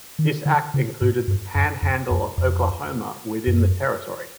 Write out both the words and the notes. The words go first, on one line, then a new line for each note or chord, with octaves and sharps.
This act included the Panhandle of Oklahoma within the territory.
D#3
D3
C#3
G#2
G2
F#2
F2
F2
F2
F#2